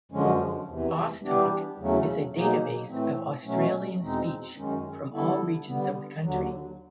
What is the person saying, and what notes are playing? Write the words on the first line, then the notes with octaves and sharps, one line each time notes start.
AusTalk is a database of Australian speech from all regions of the country.
F#2 D3 F3 G#3 C#4
E2 C3 E3
E3 G3 B3 D4 G4
E2 C#3 F#3 A3 C#4
B2 F#3 A#3 D#4 G#4
A2 E3 A3 C4
B2 F#3 A3 C#4
E2 B2 G#3 C4 D#4
F#2 D#3 G#3 C#4
D3 G3 B3 E4 A4
D3 G3 B3
D#2 D3 F#3